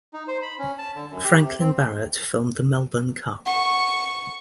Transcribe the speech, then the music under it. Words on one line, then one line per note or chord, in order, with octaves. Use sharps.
Franklyn Barrett filmed the Melbourne Cup.
D#4
C5
B5
C#4
A5
D3
F#2
G4
C3
C4
F#5 C#6